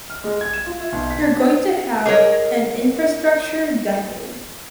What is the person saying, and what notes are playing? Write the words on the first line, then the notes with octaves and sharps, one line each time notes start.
We’re going to have an infrastructure decade.
F6
G#3
G#6
E7
F4
E5
B1
B6
D4
G#4 A#4 C#5 D#5